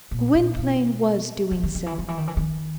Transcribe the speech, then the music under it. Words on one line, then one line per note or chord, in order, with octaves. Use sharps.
Gwynplaine was doing so.
A#2
A#2
B2
E3
D#3
D#3
E3
D#3
E3
D#3
E3
D#3